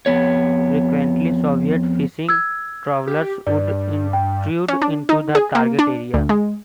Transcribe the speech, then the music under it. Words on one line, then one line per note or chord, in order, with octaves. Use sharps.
Frequently, Soviet "fishing trawlers" would intrude into the target area.
F2 B3 C#5
E6 G#6
G4
G2 D5
G5
C#4
D4
D#4
G#4
A#3
D4
D2
G#3